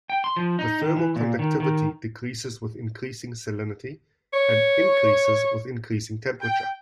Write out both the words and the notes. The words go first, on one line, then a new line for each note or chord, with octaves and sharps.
The thermal conductivity decreases with increasing salinity and increases with increasing temperature.
G5
C6
F3
D#4
D#3
E3
A#2
D#3
D#3
C#5
G5